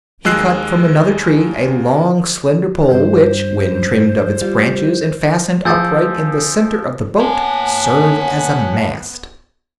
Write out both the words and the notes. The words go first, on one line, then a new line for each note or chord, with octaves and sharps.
He cut from another tree a long, slender pole which, when trimmed of its branches and fastened upright in the center of the boat, served as a mast.
D#2 G#3 D#5 E6 F#6 C7
G2 C5
G3 F4
F3 G#4 E6 G6 A6
B3 C#5 F#5 G#5 A5